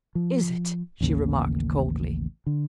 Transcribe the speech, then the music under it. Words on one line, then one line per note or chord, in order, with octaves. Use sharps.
"Is it!" she remarked coldly.
F3
A1 D#2 C#3 A#3
D3